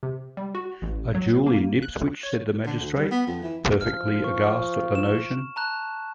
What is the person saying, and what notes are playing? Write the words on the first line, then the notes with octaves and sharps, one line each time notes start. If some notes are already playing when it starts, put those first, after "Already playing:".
A duel in Ipswich!’ said the magistrate, perfectly aghast at the notion.
C3
G3
F#4
A1
F#3
A#3
F#6
C#5
D3
D2
G3
B3
F2
E3
F3 F6
C#6
E7
A5 A#5 F#6